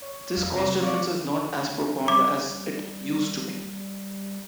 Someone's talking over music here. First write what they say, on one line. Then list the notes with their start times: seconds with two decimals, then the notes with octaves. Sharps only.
This cost difference is not as profound as it used to be.
0.02 C#5
0.37 E2 F5
0.53 C3 A#5
0.82 C4 F#4 C#5 D5 F5
2.08 G3 D6